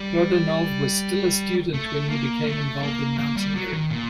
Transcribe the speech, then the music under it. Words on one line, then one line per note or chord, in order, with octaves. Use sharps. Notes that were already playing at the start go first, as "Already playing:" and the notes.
Prodanov was still a student when he became involved in mountaineering.
Already playing: G3
A3
A#3
A3
A#3
A#3
G3
F#3
D#3
A#2